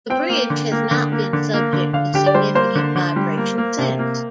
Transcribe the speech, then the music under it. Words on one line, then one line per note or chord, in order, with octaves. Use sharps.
The bridge has not been subject to significant vibration since.
C4 G5
A#3
D3
A#3
D3
A#3
D3
A#3
D3
D3 F5
D3 G4
D5
G3 C5
A#3 C5
D3
D3
G3
A#3
A#3
C3
A#3